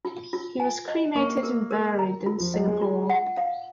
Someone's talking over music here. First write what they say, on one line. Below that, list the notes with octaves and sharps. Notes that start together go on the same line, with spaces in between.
He was cremated and buried in Singapore.
F4
F4
G#5
D#5
A#3 C#6
A#4
A#4
A#5
F4
F3
F#3 D#5
G#3
F4
F#5
F5